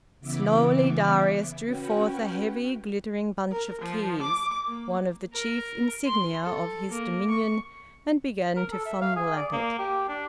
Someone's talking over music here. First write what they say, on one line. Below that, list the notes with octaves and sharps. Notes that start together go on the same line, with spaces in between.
Slowly Darius drew forth a heavy, glittering bunch of keys, one of the chief insignia of his dominion, and began to fumble at it.
C#3 E3 B3 E5 D6
C#4 F#4 B4 G5
A#4
F3
D6
A#3
A#4
C6
A4
A#3
C#6
A#4
A4
E5
F5
G#4
D5
A#3
G4
D4